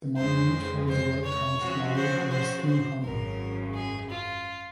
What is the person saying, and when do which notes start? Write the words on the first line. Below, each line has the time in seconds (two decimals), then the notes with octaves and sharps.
The monument holds a well-carved model of his steam hammer.
0.16 F2 C#3 G#3 C5
0.88 C5
1.24 C#5
1.60 C#3 F3 C4 F#4
1.96 C5
2.31 C5
2.68 C5
3.03 G#1 F#2 C#3 A#4
3.74 G#4
4.10 F4